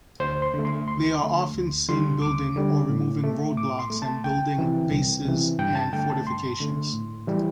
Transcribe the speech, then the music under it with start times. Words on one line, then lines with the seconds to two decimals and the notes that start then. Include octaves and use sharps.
They are often seen building or removing road blocks and building bases and fortifications.
0.20 D2 C5
0.42 C6
0.54 D3 A3
0.65 C6
0.87 D2 C6
1.21 D3 A3
1.54 D2
1.88 D3 G3 C6
2.22 D2 D6
2.56 D3 G3
2.89 A2
3.24 A3
3.57 A2 D6
3.79 C6
3.90 A3
4.02 A5
4.24 C2 G5
4.58 C3 E3
4.92 C2
5.25 C3 E3
5.59 G2 G5
5.75 A5
5.93 D3 A3 G5
6.10 A5
6.27 G2 C6
6.60 D3 A3
6.93 A2
7.28 E3 G3